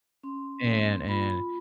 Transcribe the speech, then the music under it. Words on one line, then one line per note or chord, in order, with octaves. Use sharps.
And and
C#4 C6
A#3
F4 B5